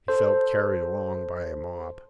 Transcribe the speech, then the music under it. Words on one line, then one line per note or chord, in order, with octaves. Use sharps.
He felt carried along by a mob.
A4 C5